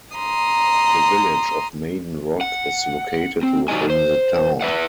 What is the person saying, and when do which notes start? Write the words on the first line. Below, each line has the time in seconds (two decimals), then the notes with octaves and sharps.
The Village of Maiden Rock is located within the town.
0.15 A#5 C6 D#6
2.41 F#5
3.43 C4
3.68 F#3 D#4 G4 D#5 G#5
3.90 C5
4.61 B4 E5 F#5